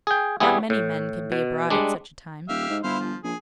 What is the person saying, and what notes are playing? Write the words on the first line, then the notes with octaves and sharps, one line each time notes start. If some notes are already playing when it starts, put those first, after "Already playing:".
Not many men can be abroad at such a time.
G#4 G5
G3 B3 E4 G#4
A2
B2
G3 G#3 D4
D#1 G4 E5 F5
G#2
G1 E4 C5 F5
F3
A#1 G#4